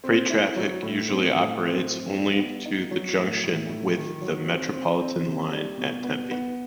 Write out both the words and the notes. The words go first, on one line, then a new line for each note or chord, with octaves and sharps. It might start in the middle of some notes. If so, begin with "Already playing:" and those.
Freight traffic usually operates only to the junction with the Metropolitan line at Tempe.
C4
E4
F#3
A2
C4
A2
C4
C4
G3
B3
D#4
F#3
A2
A2
A2
D#3
F#3
C4
C4
C4
C3
G3
B2
B3
B3